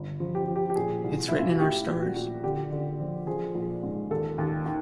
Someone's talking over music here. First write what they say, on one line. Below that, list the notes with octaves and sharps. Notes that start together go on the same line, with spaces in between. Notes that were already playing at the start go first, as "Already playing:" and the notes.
Its written in our stars.
Already playing: G1
F3
G4
F3
G4
G4
A#2 G#4
C2
C2 E4
F4
F#4
A2 G4
A#1
F#4
A#1
D3 G4
D3
F3
F3 G#4
A#1
G#2
D#2 A4
D#2
D#3